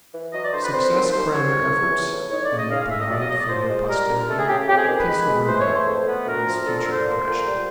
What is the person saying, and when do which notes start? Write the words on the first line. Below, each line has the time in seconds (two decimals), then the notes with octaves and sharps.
Success crowned their efforts, and they provided for their posterity a peaceful remedy against future aggression.
0.14 E3
0.33 F#3 D#5
0.43 D5
0.52 D3 C5
0.63 B4
0.73 C4 C5
0.92 D#2
1.12 C2 C5
1.32 C2 C#5
1.51 F#3
1.72 E2
1.91 E3
2.11 A2
2.30 D#4 C#5
2.44 D5
2.51 C#3
2.58 D#5
2.70 C#3 F5
2.80 F5
2.90 C#3 E5
3.00 D#5
3.10 F#3 D5
3.19 D#5
3.29 F#3 D#5
3.39 D5
3.49 F3 C5
3.69 G#3
3.88 G3 A#4
4.08 D3
4.28 A3 A4
4.38 G#4
4.48 C#3 G4
4.68 F2 G4
4.78 G#4
4.88 D#3
4.98 B4
5.08 G#3
5.27 G#3
5.46 E3 C5
5.60 C#5
5.66 A3
5.73 C5
5.86 F2
6.07 B3
6.26 D2 A#4
6.45 F3
6.65 D3 A4
6.78 A#4
6.85 D3
6.91 C5
7.05 A#3
7.25 A#2
7.45 G3